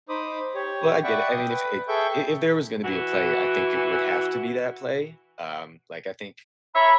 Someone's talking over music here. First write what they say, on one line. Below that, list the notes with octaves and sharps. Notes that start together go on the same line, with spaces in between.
Well, I get it. I mean, if it if there was gonna be a play, I think it would have to be that play, um, like, I think
D#4 C5 B5 D6 D#6
G4 C#5
D5 E5 F#5 G5 B5 C#6
G5 D#6
B4
G#4 A4 E5 G5 C#6 G6
E3 F#4
A#4 C#5 E5 B5